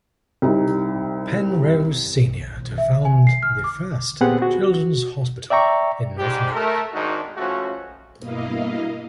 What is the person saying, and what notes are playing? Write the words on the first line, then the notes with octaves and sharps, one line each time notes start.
Penrose Senior to found the first children's hospital in North America.
C2 G3 D#4
E5
G#5
C7
F6
D6
A#2 B3 C4 G4 G#4 F#5
F#4
D5 E5 G5 A#5 C#6
G#2 G3 G4
A3 A4 A#4
G#1 G#2 D#3 D4 D#4 F#4
C#2 F3 A3 C#4 F#4
G2 B2 A#3 E4 D#5 F5